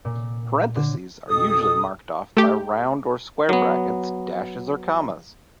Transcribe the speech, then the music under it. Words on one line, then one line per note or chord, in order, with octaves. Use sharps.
Parentheses are usually marked off by round or square brackets, dashes, or commas.
A#2
D3
F2 B2 A4 D#6
A3 G4
F#3 B3